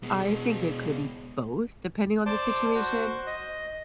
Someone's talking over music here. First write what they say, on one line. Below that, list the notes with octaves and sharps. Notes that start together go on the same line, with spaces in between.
I think it could be both depending on the situation.
B2 G#3
C5 D5 A5 C6 D6
F#4 C5
D#5